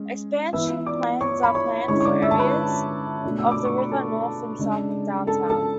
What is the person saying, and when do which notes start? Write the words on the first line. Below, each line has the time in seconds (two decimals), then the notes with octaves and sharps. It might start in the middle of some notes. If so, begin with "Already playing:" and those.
Expansion plans are planned for areas of the river north and south of Downtown.
Already playing: G#3 C#4
0.53 E3 B3 E4 E5 E6
0.86 D5 D6
1.21 C#5 C#6
1.43 B5
1.55 C#5 C#6
1.88 D3 G#3 C#4 E4 C#5 C#6
2.00 C#6
2.05 D5 D6
2.22 E5 E6
2.31 A5
2.39 B4 B5
3.24 B2 A3 D4
3.38 E6
3.51 D6
3.65 C#6
3.78 B5
3.91 A4 A5
4.59 C#3 G#3 D4
5.27 A4 A5
5.50 A4 A5